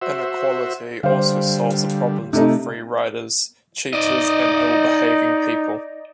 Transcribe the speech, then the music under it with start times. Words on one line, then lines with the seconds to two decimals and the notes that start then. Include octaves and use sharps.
Inequality also solves the problems of free-riders, cheaters and ill-behaving people.
0.02 F#4 C5 E5
1.03 D3 G3 C5 F5
2.33 C3 A3 D#4
3.93 D#4 D5 D#5